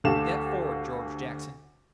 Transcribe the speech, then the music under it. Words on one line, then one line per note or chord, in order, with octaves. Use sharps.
Step forward, George Jackson.
D2 D3 G4 A4 F5 E7